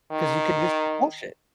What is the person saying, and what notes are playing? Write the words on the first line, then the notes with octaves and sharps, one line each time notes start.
'Cause you can just wash it.
D#3